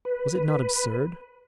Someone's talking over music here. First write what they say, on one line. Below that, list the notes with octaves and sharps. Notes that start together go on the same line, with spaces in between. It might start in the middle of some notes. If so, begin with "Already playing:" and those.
Was it not absurd?
B4